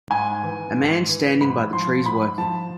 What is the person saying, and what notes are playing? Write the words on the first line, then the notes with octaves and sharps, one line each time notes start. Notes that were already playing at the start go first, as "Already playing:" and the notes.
A man standing by the trees working.
G#2 G#5
E3
G#2
E3
G#2 B5
F3 C6
G#2 B5
F3 A5